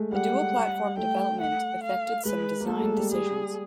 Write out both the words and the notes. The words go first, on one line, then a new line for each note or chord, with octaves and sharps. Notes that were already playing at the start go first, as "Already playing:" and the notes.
The dual platform development affected some design decisions.
Already playing: G#3 A3
G3 F#5
A3 G5
F#5
F5
G#3 B4
A#3
A3 A4
G#3
G3
G3 G#4